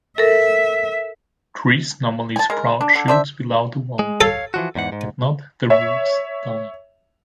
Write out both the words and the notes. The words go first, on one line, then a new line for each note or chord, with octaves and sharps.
Trees normally sprout shoots below the wound; if not, the roots die.
A4 A#4 E5
G#5 A5
G#3 A#4
D4
D3
D4 C5 E5
G#3
A4 C#5 F5
E3 F3 F#4
E2 G#2 F#5
G#2
C#5 E5